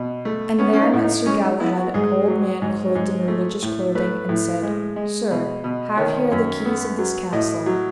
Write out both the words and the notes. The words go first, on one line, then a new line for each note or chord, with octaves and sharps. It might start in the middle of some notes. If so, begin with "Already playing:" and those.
And there met Sir Galahad an old man clothed in religious clothing, and said: Sir, have here the keys of this castle.
Already playing: B2
A3
B3 C#4
C#4
D#4
A2
D#4
G#3 C#4
D#4
B3 E4
F#4
G#2 G#4
F#3
G#2
G#2
A3
A2
A3 B4
A2
G#3
G#3
B2
B2
D#3 C#5
F#2
B3
F#3
A2 D#5
F#3